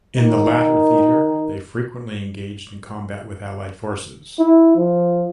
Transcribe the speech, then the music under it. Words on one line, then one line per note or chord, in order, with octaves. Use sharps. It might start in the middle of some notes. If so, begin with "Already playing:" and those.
In the latter theatre they frequently engaged in combat with Allied forces.
D#3 D#4
E4
F3